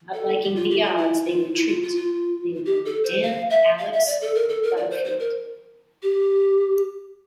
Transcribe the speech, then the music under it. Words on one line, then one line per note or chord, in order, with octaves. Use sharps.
Not liking the odds, they retreat, leaving only Dan, Alex and Butterfield.
A4
G4
F4
G4
F4
E4
F4
E4
F4
F4
F4
G4
A4
C5
F5
E5
F5
E5
D5
A4
A#4
A4
A#4
D5
C5
C5
A#4
G4